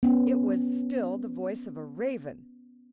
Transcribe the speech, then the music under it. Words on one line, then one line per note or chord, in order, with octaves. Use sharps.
It was still the voice of a raven!
B3 C#4